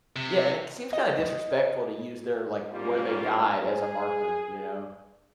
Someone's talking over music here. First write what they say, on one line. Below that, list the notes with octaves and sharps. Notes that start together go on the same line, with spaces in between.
Yeah, and it seems kinda disrespectful to use their like, where they died as a marker, you know?
C3
D#5
G#2 G3 A#3 C#4 F4
G#4